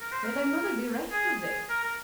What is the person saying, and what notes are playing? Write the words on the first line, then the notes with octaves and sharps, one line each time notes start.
May thy mother be reft of thee!
A#4
C5
A#4
G#4
G#4
A#4
A#4